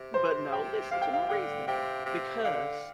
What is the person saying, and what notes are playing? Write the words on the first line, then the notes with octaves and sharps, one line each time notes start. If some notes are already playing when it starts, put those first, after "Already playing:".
but no, listen to my reasoning because
Already playing: C3
C5
G5
C3 F5
G5
F5
D3 G5
C3 G5
C3
D3 F5